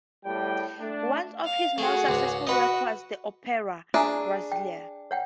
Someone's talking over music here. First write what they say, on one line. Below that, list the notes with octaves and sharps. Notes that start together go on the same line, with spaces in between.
Once of his most successful works was the opera "Graziella".
E2 A2 G3 G5
A3 D4
F5
A3 F#4 G#4
C#2 G#2
F#4 B4 D#5
D4 G#4 E5 G#5 A#5 C#6
G5
C#5 F#5 G5